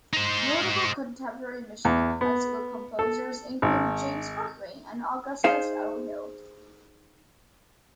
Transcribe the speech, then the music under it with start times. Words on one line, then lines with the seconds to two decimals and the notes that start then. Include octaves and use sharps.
Notable contemporary Michigan classical composers include James Hartway and Augustus O. Hill.
0.14 D#4 C5
1.85 E2
2.21 B3
2.99 A4
3.62 G#1
5.44 D#4 G#4 C5 F5